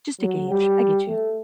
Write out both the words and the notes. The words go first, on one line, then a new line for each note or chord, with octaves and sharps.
Just to gauge. I get you.
F#3
G3
A3